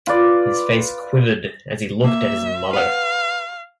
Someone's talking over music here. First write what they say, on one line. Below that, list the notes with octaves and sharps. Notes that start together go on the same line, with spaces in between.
His face quivered as he looked at his mother.
F4 B4 D5
A#3 E5
B4 F5 F#5